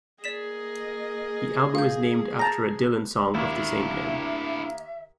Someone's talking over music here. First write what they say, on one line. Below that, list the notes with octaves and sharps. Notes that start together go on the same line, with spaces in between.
The album is named after a Dylan song of the same name.
A#3 G#4 D5 D#5 B6 E7
F5 G6
A5 A#5 G6 A#6
D#2 D4 E4 E5